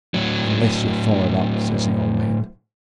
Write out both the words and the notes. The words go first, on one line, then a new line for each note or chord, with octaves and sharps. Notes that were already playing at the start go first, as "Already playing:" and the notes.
'Unless you're followed up,' says the old man.
A2 F#3